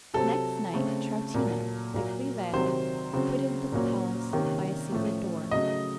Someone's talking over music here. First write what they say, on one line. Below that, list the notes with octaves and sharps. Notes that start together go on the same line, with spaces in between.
Next night Troutina, thickly veiled, quitted the palace by a secret door.
C3 F#3 C4 A4
C#3 A3 C4
A#2 F#3 A#3
A#2 F#3 A#3
C3 D#3 F#3 C4 C5
C#3 F#3 C4
A#2 F#3 A#3 C#4
C3 D#3 A#3 C#4
A2 F3 A3 C#4
C#3 F#3 A3 D#5